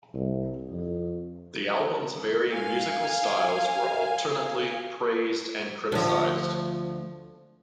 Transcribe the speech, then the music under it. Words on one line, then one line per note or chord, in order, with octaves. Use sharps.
The album's varying musical styles were alternately praised and criticised.
C2
F2
F5 G#5
D2 F3